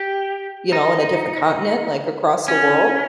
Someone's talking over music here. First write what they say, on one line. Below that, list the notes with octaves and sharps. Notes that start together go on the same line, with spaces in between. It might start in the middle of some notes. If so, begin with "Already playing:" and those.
you know, in a different continent, like, across the world.
Already playing: G4
D#4
C#4